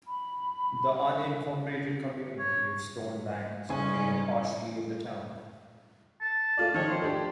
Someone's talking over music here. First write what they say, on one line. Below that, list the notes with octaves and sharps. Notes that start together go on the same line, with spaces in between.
The unincorporated community of Stone Bank is located partially in the town.
B5
C#5
F#1 C#3 G3 C#4 G#5
A5
A3 F4 D5
D#3 F3 D#4 C#5
C5
A3 D4 G4